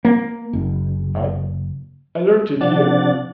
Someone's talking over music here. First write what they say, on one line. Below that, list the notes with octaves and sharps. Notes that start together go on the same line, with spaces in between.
I-I learnt it here.
A#3
F#1
C3 F3 D4 D5 F#5 A6